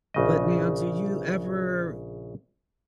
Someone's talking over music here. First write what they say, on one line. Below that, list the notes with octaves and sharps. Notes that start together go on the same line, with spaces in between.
But now, do you ever
A#1 C#3 D#5